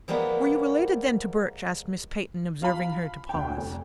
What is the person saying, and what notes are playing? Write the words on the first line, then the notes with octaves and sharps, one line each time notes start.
"Were you related, then, to Birch?" asked Miss Peyton, observing her to pause.
F3 G3 G#3 A#3 B3
F4 F5 B5
D2 G5
F1